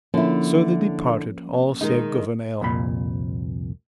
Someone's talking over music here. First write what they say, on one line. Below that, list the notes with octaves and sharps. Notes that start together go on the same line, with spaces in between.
So they departed all save Gouvernail.
D3 F3 A#3 C#4 E4
D#3 G#3 D#4
C2 F2 A#2 B5